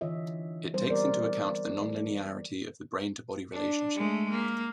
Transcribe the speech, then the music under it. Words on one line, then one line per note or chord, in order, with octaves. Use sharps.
It takes into account the nonlinearity of the brain-to-body relationship.
D3 E3 F4 C#5 D#5 E5
G3 C5
B3 A#4 D5
D4
G#3 A3
A#3